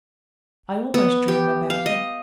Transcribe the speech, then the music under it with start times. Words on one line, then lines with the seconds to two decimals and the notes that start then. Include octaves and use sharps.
I always dream about him.
0.94 B3
1.28 G4
1.70 F5
1.86 D#5